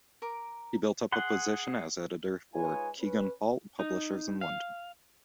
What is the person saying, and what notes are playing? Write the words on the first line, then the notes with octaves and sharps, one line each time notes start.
He built up a position as editor for Kegan Paul, publishers in London.
A#4 D6
G#4 F#5 C6
G#3 D#4 F4 B4 C#5 G#5
C#4 B4
D#4
F5